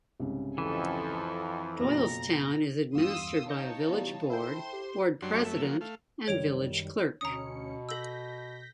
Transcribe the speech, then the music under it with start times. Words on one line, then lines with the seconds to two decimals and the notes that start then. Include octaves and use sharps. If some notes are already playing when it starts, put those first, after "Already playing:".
Doylestown is administered by a Village Board, Board President, and Village Clerk.
0.20 C2 G#2 C#3
0.58 F2 E3 A4 G#5
1.79 F#1 B2 A#5 A#6
2.95 E2 G2 F5 C6 D#6 E6
3.49 D#4 C#5 A5 G6 A#6 C#7
3.89 B2 E3 G3
4.30 E4 A4 C5 G5 C6
4.72 G4
5.22 F#2 F#3 G3 D4 C6
5.44 F#2 A3 E5
5.62 F3 F#3 A#3
5.81 A3 F5
6.28 F#2 D#3 G3 C#5 D7 F7
7.21 D2 B2 C#4 A#5 D#6 C#7
7.89 A4 E6 G6 A#6 B6